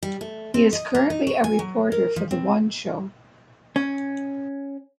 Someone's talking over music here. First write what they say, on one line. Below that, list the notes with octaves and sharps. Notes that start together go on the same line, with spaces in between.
He is currently a reporter for "The One Show".
G3
A3
C4
D#5
A#3
D#4
C#5
G#5
F#3
A#4
F3
C4
C#4